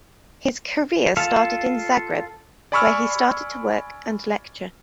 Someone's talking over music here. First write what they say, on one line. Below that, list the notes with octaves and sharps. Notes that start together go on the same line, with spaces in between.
His career started in Zagreb, where he started to work and lecture.
F4 A4 F5
D5 G#5 B5 C#6 E6 F6